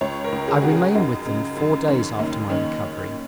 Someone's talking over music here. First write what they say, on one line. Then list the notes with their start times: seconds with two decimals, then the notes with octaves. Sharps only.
I remained with them four days after my recovery.
0.01 C#2 C#5
0.24 A#4
0.32 C#2
0.48 G#4
0.62 C#3 F#4
0.71 G#4
0.95 F#2 D#4
1.26 C#3
1.57 F#2
1.88 D#3 C#4
2.19 D#2 D#4
2.50 D#3 C#4